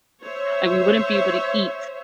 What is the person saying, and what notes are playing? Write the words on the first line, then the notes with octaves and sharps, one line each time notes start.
and we wouldn't be able to eat
C5 C#5 E5